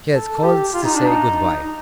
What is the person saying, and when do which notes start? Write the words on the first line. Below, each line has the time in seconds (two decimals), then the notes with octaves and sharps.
She had called to say good-by.
0.13 A4
0.36 A4
0.43 G4
0.74 F4
0.84 D#4
0.96 D4
1.06 D#4